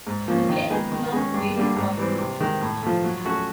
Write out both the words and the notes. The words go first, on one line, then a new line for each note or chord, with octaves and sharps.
The play explores various possibilities.
G#2
F3 A#3 C#4
D#3
G#3 B3 D#4 G#4
D#3
G#3 C#4
G2
D3 G3 A#3
G#2
E3 G3 C4
C3
D#3 G#3
A2
F3 A3
F#3
A3 C#4 F#4